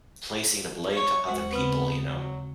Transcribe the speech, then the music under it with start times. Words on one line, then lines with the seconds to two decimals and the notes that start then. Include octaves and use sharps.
placing the blame to other people, you know?
0.96 C#5
1.26 D#2 G#3 F#4 C5
1.53 C#3 B3 C4
2.13 F#3